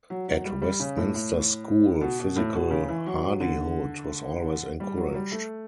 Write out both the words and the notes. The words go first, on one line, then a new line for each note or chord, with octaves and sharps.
At Westminster School, physical hardihood was always encouraged.
F#3
F#3
G3
G3
C#3
A2
A2
B2
B2
A2
B2
C#3
E3
F#3
F#3
D3
G3
F#3
F#3
G3
A3